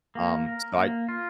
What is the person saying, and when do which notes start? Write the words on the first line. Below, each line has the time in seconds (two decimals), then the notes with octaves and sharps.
um, so I
0.15 A#3
0.46 A#4
0.77 A#3
1.09 F4